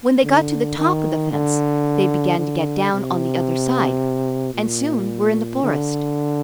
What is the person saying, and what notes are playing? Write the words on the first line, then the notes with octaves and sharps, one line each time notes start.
When they got to the top of the fence they began to get down on the other side and soon were in the forest.
D3
D#3
D3
D3
C3
A#2
D3